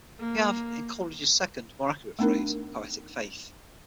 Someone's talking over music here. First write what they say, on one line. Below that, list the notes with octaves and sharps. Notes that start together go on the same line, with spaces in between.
We have, in Coleridge's second, more accurate phrase, "poetic faith".
A#3
A3 B3 D4 D#4 A#4